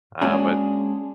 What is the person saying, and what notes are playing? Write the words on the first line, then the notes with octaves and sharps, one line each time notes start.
Uh, but
G#3 A#3 C#4 D4 F#4 G#4